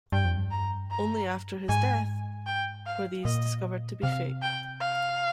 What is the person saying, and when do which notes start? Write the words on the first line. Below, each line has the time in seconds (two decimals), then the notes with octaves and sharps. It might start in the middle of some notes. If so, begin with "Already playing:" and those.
Only after his death were these discovered to be fake.
0.12 G2 G5
0.25 F2
0.38 G2
0.51 A#5
0.91 A#5
1.68 G#2 G#5
2.47 G5
2.86 F5
3.24 A#2 D#5
4.02 C3 F5
4.42 G5
4.80 F5